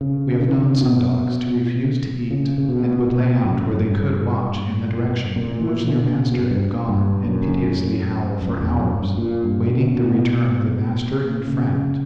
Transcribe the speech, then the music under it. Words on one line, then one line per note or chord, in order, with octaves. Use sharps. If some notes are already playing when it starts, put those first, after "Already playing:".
We have known some dogs to refuse to eat, and would lay out where they could watch in the direction in which their master had gone and piteously howl for hours, waiting the return of the master and friend.
C#3
D3
E3
D3
B2
C#3
C#3
B2
B2
F#2
F#2
G2
A#2
E3
D3
D3
C#3
B2
G2
G2
F#2
F#2
E2
F#2
G2
A#2
G2
B2
B2
C#3